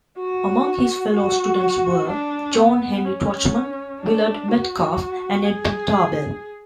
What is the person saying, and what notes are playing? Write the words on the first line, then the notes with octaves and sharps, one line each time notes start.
Among his fellow students were John Henry Twachtman, Willard Metcalf, and Edmund Tarbell.
F#4
F#4
D4
B3
C#4
D4
F#4
G#4